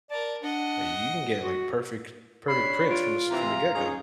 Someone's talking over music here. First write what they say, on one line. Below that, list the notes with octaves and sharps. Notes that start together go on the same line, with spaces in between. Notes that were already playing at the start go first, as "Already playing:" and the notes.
eh, you can get, like, perfect perfect prints from this from the get go.
A#4 D5 A5
D4 D#5 F#5
F#4
D4 C#5 B5 C7
F4 D7
C3 E3 A#5
C#4 D#4 G#4